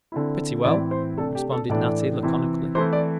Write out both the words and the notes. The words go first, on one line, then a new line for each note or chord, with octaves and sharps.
"Pretty well," responded Natty laconically.
D3 C4 E4
A2 E3 C4 E4 D5
C5
C3 A3 D4 A4
G4
A4
A2 E3 A3 D4 D5
C3 E3 C4 E4
E3 A3 C4 E4 C5
D5